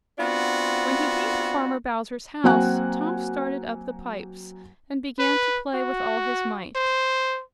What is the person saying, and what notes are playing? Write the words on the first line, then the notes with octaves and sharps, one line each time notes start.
When he came to Farmer Bowser's house, Tom started up the pipes and began to play with all his might.
B3 C4 D4 F4 F#4
F#3 A#3 C4 F#5 G#5 F#6
B4
F#4
C5